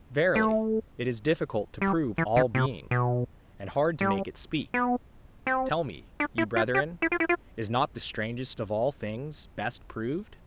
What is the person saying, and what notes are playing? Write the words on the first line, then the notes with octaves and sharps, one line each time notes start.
Verily, it is difficult to prove all being, and hard to make it speak. Tell me, ye brethren, is not the strangest of all things best proved?
A3
G3
E3
D3
C3
B2
G3
B3
C4
D4
E4
F4
G4
E4
F4
E4
F4